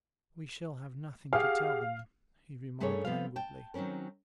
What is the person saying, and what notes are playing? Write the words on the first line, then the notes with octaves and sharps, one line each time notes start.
"We shall have nothing to tell them," he remarked languidly.
G4 G#4 F5 F#5
G2 A3 C#4 G#4 A#4 C#5
F3 B3 C4 F5
G5 A5
D#3 F#3 C4 C#4 A#4